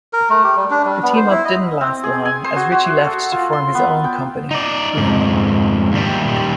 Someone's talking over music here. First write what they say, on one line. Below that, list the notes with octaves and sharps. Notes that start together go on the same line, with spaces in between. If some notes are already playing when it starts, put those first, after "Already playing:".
The team-up didn't last long, as Richie left to form his own company, Boom!
A#4
A3
G4
G3
D4
G3
B3
C5
E4
D#5
C4
G#4
G#5
C5
F#4
F#4
E5
A4
F4
C6
B3
G5
D#4 D5
F2 G#2
D#2 G3